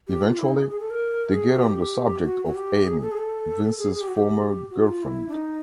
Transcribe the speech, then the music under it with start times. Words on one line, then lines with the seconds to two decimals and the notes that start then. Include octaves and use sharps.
Eventually, they get on the subject of Amy, Vince's former girlfriend.
0.08 G4
0.24 F4
0.38 E4
0.49 D#4
0.59 G#4
0.70 G#4
0.80 A4
0.90 A#4
1.32 G#4
1.54 F#4
1.63 G4
2.24 F#4
2.45 F#4
2.55 G4
2.86 G#4
3.01 A4
3.11 G#4
3.17 A4
3.78 G#4
3.94 G#4
4.01 G4
4.08 F#4
4.15 G4
4.70 F#4
4.87 F4
5.03 E4
5.28 D4
5.33 D#4